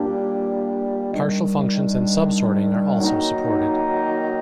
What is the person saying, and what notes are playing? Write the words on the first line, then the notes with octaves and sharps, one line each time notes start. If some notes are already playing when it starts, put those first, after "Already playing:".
Partial functions and subsorting are also supported.
Already playing: A#2 G3 A#3 D4
D#3 G3 D4
D#3 F#3 A#3 D#4